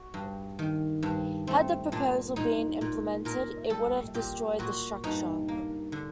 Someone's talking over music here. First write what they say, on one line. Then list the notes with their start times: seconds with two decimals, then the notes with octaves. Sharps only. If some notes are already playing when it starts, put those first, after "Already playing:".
Had the proposal been implemented, it would have destroyed the structure.
Already playing: F#4
0.14 G2
0.59 D#3
1.03 G2
1.47 A3 C4
1.92 A#2 D4
2.36 A#2 D#4
2.81 A#2
3.25 A#2 A#4
3.70 G3 A4
4.14 A#2 G4
4.59 A#2 F#4
5.04 G2 D#4
5.48 A#3
5.92 D3